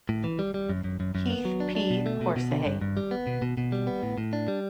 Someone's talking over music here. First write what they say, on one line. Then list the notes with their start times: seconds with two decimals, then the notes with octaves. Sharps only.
Heath, P. Horsehay.
0.09 A2
0.24 E3
0.39 G3
0.54 G3
0.69 F#2
0.84 F#2
1.00 F#2
1.15 F#2
1.30 B3
1.45 F#3
1.60 D4
1.75 D4
1.91 B2
2.06 A3
2.21 B2
2.36 B2
2.51 D3
2.66 G2
2.81 G2
2.97 G3
3.11 B3
3.27 B2
3.42 B2
3.57 B2
3.72 G3
3.87 B3
4.03 A2
4.18 A2
4.33 D4
4.48 G3